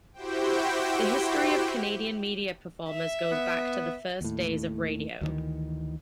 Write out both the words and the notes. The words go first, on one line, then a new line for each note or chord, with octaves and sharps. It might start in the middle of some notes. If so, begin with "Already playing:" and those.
The history of Canadian media performers goes back to the first days of radio.
E4 F#4 G4 C5 G5
E5
B3
D#2 A2
D2 D#3 E3